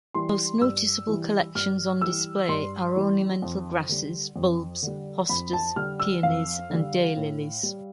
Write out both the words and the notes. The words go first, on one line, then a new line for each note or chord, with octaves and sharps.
The most notable collections on display are ornamental grasses, bulbs, hostas, peonies and daylilies.
E3 G3 C6
G2 E6
E3 G3
G2 F6
E3 G3 E6
G2 C6
E3 G3
F2
D3 G3
F2
D3 G3
F2 B5
A5
D3 G3 F6
E6
F2 F5
D3 G3
A2
G3